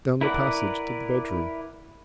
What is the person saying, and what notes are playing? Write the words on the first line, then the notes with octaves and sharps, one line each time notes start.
Down the passage to the bedroom.
E4 A#4 B4 D5 F#5